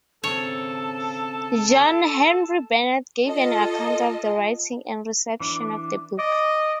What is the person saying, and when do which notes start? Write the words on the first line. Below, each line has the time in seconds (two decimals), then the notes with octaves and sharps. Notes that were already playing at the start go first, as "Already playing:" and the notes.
John Henry Bennett gave an account of the writing and reception of the book.
0.24 C#3 C4 A4 C#5 A5
3.25 F4 A4 D#5
5.40 E3 D4
6.19 D5 D#5